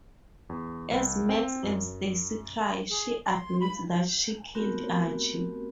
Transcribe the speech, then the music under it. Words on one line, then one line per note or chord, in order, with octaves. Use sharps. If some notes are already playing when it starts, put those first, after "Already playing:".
As Max and Stacey cry, she admits that she killed Archie.
E2
C2
C4
F#2
G#4
C6
B5
A3 B3 C4 F#4 G4 A#4